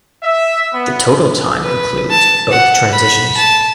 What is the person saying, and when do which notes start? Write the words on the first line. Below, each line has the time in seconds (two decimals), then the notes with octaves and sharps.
The total time includes both transitions.
0.24 E5
0.73 B3
1.62 B4
2.10 A5
2.51 F#5
2.91 B5
3.36 A5